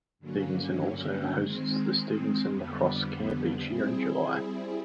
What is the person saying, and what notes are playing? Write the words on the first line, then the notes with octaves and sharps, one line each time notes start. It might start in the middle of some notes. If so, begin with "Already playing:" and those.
Stevenson also hosts the Stevenson Lacrosse Camp each year in July.
G2 D3 F#3 A#3 C#4
D#3 G#3 C4
F2 D3 G3 B3
G3 C4 E4 G#4